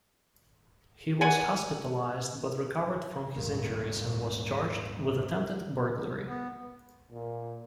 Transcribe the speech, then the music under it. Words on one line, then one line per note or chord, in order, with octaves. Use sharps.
He was hospitalized but recovered from his injuries and was charged with attempted burglary.
B4 D5 F#5 G#5
D#1 G#1 A#3
B3
A#2